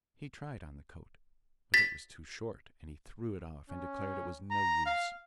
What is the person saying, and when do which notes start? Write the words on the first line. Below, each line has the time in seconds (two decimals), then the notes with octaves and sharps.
He tried on the coat, but it was too short, and he threw it off, and declared it was no use.
1.74 A6 B6
3.70 C#4
4.51 A#5
4.86 F5